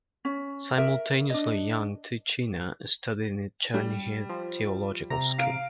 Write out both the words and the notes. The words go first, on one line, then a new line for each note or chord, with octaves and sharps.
Simultaneously young Tychyna studied in the Chernihiv theological school.
C#4
A#4 E5
D4 D#5
G3
F3
C3 A#5
F5 D7